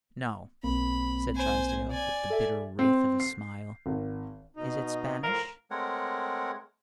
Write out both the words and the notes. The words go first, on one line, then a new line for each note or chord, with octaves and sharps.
"No," said Trysdale, with the bitter wraith of a smile--"Is it Spanish?"
B1 A#3 C4 B5
C5 G#5
D5 G#5
A4 E5
C4
C7
G#1
B2 D#4
A2 F3 A#4 F5
G#3 A3 C4 A#4 C#5 F#5